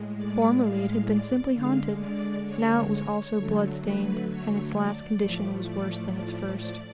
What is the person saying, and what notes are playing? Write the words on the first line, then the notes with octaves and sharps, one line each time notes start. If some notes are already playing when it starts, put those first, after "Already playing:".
Formerly it had been simply haunted, now it was also blood-stained, and its last condition was worse than its first.
Already playing: A2 G#3
D5
F5
D5
D3 G#3 F5
D5
C#5
D3 F#3 A3
B4
C#5
D5
A2 F3 A3
D5
D5
D5